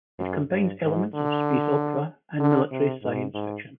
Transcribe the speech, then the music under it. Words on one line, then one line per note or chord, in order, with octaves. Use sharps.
It combines elements of space opera and military science fiction.
F#2
G2
G#2
D3
D3
C3
G#2
G#2